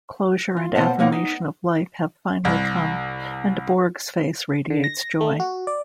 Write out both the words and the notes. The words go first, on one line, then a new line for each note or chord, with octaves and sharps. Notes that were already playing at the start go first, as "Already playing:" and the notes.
Closure and affirmation of life have finally come, and Borg's face radiates joy.
F4
D#2 B2 B3 C5 F#5 A5
D#2 B2 A#3 D#4 F#5
D#4
C2
D3
A#6
A3
F#4
D5